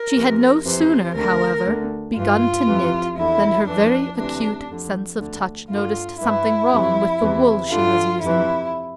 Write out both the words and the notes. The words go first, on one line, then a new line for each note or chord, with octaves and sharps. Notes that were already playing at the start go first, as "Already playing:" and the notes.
She had no sooner, however, begun to knit than her very acute sense of touch noticed something wrong with the wool she was using.
Already playing: A#4
F2 C3 E3
F2 C3 E3 C5
D2 D3 A#4
D2 D3
G2 E3 F4
F2 C3 E3
E2 D3 E4
F2 E3 D4
D2 C3 E3 D4
F2 D3
D2 D3
G2 D3 F4
G2 E3 E4
F2 C3 E3
E2 C3 E3
G2 D3 F4
F2 C3 E3 E4